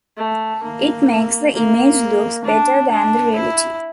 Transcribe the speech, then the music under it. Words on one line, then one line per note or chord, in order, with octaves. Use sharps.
It makes the image looks better than the reality.
A3
A#3
A#3
D4
D4
E4